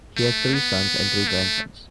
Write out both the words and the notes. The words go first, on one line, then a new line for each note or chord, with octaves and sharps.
He has three sons and three grandsons.
A3
B3
A3